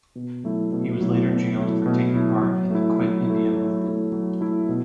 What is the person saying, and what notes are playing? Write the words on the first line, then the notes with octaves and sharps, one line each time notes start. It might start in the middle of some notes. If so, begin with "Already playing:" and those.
He was later jailed for taking part in the Quit India Movement.
B2
F#3 A3 E4
B2
F#3 A3 E4
B2
F#3 A3 E4
B2
F#3 A3 E4
F#3
A3 E4
F#3
A3 E4
F#3
A3 E4
F#3
A3 E4
B2